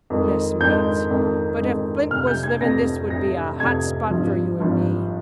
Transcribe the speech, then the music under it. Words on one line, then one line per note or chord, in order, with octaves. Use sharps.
Messmates, but if Flint was living, this would be a hot spot for you and me.
F2 D#3 G#3
F2 D#3 G#3 G6
F2 D#3 G#3
F2 D#3 G#3
F1 F2 C3 F6
G6
G#6
F1 F2 C3 A#6
F1 F2 C3 A#6
F1 F2 C3 G#6
G#1 G2 F3
G#1 G2 F3